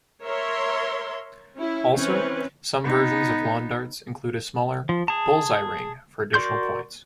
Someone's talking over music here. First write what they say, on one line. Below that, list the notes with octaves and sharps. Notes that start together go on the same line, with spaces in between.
Also, some versions of Lawn darts include a smaller "bulls-eye" ring for additional points.
A#4 C#5 E5 C6
C#4 E4
E3 C4 C#4 B4
B3 D#4
F3
G#4 A5
F#4 A#4 D5 C6 G6